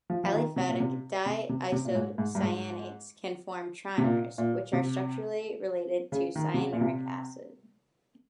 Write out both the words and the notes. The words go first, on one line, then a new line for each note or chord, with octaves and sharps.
Aliphatic di-isocyanates can form trimers, which are structurally related to cyanuric acid.
F3
F3
D#3
C3
A#2
C3
C3
C3
C3
A#2
G#2
G#2
G2
G#2
C3
A#2
A#2
C3
C#3
D#3
C3
C#3
A#2
C3